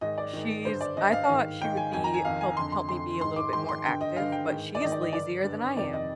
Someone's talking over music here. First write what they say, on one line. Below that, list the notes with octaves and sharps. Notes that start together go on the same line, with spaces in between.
she's I thought she would be help help me be a little bit more active, but she's lazier than I am.
G#2 D#3 D#5
D5
G#2 D#3
G2 D3 C5
D5
G2 D3 D#5
F5
G#2 D#3
G#2 D#3 G5
G#5
F2 D#3 G#5
A#5
G#5
F2 D#3 F5
G#5
F2 D3 C6
C6
F2 D3 C6
G#2 D#3 C6
D6
G#2 D#3 C6
C6
G2 D3 G5
D#5
G2 D3 F5
G5
G#2 D#3
D5
G#2 D#3 D#5
D5
D#5
G2 D3 D5
G2 D3
F2 C3 D#3 D5
D#5